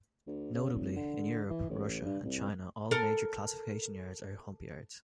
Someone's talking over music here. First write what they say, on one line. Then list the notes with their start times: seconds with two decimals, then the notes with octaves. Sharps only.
Notably, in Europe, Russia and China, all major classification yards are hump yards.
0.27 D2
0.54 C#3
0.73 F1
0.96 D3
1.50 E3
1.70 A1
2.05 G2
2.24 C2
2.91 A4 A#4